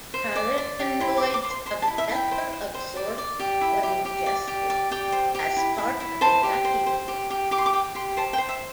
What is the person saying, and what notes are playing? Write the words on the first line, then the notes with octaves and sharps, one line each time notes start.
Carotenoids are better absorbed when ingested as part of a fatty meal.
C5
D5
D5
G4
E4 C6
D6
C5
D6
C5
C6
C5 C6
A5
E4
E5
E4
G5
C5
C5
C5
D5
D5
G4
E4 E5
G4
G4
D5
G4
D5
G4 G5
C5
G4
E4
E4
E4
C5 A5
G4
C5
C5
G4
G4
G4 D6
C6
D6
G4 G5
G4 C6
C5 A5
G5
C5
E5